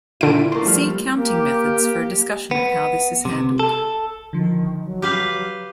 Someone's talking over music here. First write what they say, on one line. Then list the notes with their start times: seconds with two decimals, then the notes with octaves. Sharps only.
See Counting Methods for a discussion of how this is handled.
0.21 A#2 D3 E4 F4 D7
0.52 A3 A#3 A#4 C6
0.65 F3 G3 F6
1.15 A#3 G4
2.51 B3
3.25 C3
3.59 A4
4.33 D3 D#3 F3
4.83 F#3
5.02 G4 B4 F5